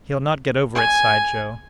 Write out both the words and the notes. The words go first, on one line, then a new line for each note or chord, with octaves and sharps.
"He'll not get over it!" sighed Joe.
G#5